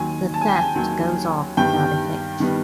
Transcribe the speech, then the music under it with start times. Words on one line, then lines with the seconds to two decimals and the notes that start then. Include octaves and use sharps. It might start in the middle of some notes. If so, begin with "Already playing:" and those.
The theft goes off without a hitch.
Already playing: D#2 D#3 F#3 G#5
0.34 A5
0.41 G#5
0.48 G5
0.56 G#5
0.75 D#2 D#3 F#3
1.57 G2 D#3 G3 B3 G5
2.40 D#3 G3 B3